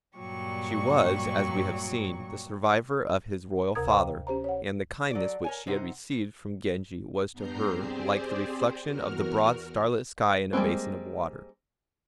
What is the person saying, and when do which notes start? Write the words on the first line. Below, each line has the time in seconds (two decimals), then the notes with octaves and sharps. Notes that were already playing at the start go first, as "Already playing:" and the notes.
She was, as we have seen, the survivor of his Royal father, and the kindness which she had received from Genji was to her like the reflection of the broad starlit sky in a basin of water.
0.18 G2 A#2 F#3 G3 C#6
3.75 D2 C3 A#4 A#5 D#6 G#6
3.88 C5 D#5 F5 G5 A#5 D6
4.27 C#4 G4 C5 A#5
4.44 C#5 F#5
5.11 F#3 A4 D5
5.44 A#4 C#5 G#5
5.67 C3 D#4 C5 F#5
7.32 G2 B3 D4 A#5 G6 C7
7.68 C4 G4 G#4 C5 D5
8.85 E2 F#4 A#4 F6
10.53 G3 G#3 A#3 C4